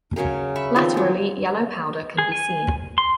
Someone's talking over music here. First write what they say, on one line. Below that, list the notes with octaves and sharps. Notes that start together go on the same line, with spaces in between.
Laterally yellow powder can be seen.
C#3 F#3 G#4 A#4
E5 B5 C#6
D#3 F3 C4 D#4
F#3 G#3
G#4
G#5
C6